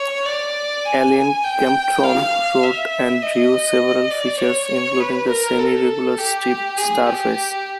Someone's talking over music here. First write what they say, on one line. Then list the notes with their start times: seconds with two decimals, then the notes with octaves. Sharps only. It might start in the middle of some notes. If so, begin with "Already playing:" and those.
Allin Kempthorne wrote and drew several features including the semi-regular strip "Starface".
Already playing: C#5
0.25 D5
0.85 G#5
1.43 G5
2.03 F5
2.63 E5
3.22 D#5
4.11 D5
4.41 C#5
5.00 B4
5.29 A#4
5.59 A4
6.18 G4
6.77 G#4
7.07 G4